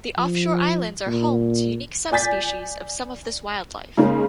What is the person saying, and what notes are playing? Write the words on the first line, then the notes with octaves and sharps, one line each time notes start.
The offshore islands are home to unique subspecies of some of this wildlife.
F3
A#2
D5 G#5 G6 A6 B6
C#3 G#3 A#3 C#4 D#4